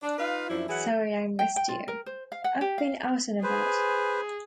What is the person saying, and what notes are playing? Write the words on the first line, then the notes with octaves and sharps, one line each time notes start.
Sorry I missed you – I've been out and about.
D4
D#4 F4 B4 F5
F#2 F3 D4 E4
E3 F#3 E4 G#4 F#5
G5
G5
F4
A#4
C5
F5
F#5
G4
F5
G#4 B4 C5